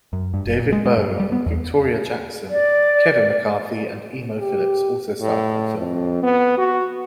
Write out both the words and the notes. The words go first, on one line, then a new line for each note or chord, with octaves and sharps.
David Bowe, Victoria Jackson, Kevin McCarthy, and Emo Philips also starred in the film.
F#2
G2
F#1
A#2
G#3
G#3
G2
G3
B3
E2
D5
G4
A2
F2
B3
F#4